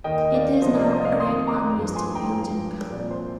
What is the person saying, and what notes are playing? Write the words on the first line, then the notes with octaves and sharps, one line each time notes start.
It is now a Grade One listed building.
D#2 D#3 D#5 G5
D5 F5
C2 C3 F3 C5 D#5
D5
C5 D#5
D5 F5
F2 D#3 C6 D#6
A#5 D6
G2 F3
G#5 C6
G5 A#5
G2 F3
C2 A#2 F3 D5
C5